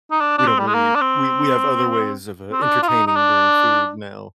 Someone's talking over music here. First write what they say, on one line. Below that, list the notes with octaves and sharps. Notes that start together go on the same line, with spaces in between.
we don't really we we have other ways of, uh, entertaining during food now
D#4
D4
D4
C4
G3
G#3
A#3
D4
C4
C4
D4
F4
D#4
D#4
D4